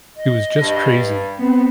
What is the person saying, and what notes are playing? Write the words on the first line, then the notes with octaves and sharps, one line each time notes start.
It was just crazy.
D#5
G2
B3 C4